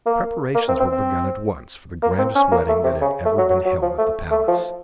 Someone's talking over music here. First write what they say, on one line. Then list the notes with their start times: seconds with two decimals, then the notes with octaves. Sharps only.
Preparations were begun at once for the grandest wedding that had ever been held at the palace.
0.06 A#3
0.55 A#3
0.68 C4
0.80 C4
0.92 C4
2.02 A#3
2.18 C4
2.35 C#4
2.52 A#3
2.68 A3
2.84 C3
3.01 C#3
3.25 A3
3.38 F#3
3.49 F#3
3.65 F#3
3.82 F3
3.98 A3
4.31 A3
4.48 F3